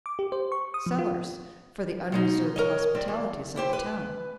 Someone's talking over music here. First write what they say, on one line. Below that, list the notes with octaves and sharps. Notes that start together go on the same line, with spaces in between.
Sellers for the unreserved hospitalities of the town.
D6
G4
C5
C#6
D#6
F3
F4
B2 G#3 D#4
A#4 C#5 D#5
G3 C4
E2
E4 G4 C5
B4